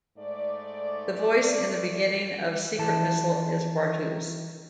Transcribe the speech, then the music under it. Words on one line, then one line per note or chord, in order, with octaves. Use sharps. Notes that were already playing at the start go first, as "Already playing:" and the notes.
The voice in the beginning of "Secret Missile" is Bartu's.
G#2 A3 D5
E3 A5